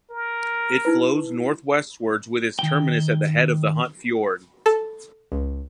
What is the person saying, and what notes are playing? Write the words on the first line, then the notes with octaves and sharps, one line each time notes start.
It flows northwestwards with its terminus at the head of the Hunt Fjord.
A#4
D#4 E4 B4
D#3 G5
A4
C#2